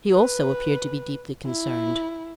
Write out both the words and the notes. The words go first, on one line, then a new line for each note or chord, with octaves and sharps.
He, also, appeared to be deeply concerned.
B4
E4